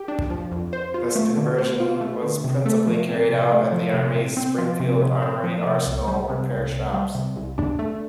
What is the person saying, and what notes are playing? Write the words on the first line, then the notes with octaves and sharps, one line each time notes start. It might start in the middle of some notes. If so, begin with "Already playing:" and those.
This conversion was principally carried out at the Army's Springfield Armory arsenal repair shops.
Already playing: G4
D4
F3
F2
C5
F4
A3
D3
C5
F4
A3
D3
C3
A3
F3
C3
C3
A3
F3
C3
C3
C4
F3
C3
C3
C4
F3
C3
C2
G3
C3
C2
C2
G3
C3
C2
D4
A3